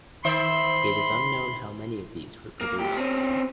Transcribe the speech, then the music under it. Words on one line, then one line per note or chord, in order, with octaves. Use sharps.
It is unknown how many of these were produced.
D#3 C5 E5 B5 C6
A#3
D2 G4
C4 C#4